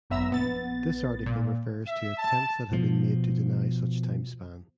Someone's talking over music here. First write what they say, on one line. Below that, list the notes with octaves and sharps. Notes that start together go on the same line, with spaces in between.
This article refers to attempts that have been made to deny such timespan.
G#1 F#2 B3 E5 A#5 E6
A#1 B3 A6
A#2
E5
A5
B2 F3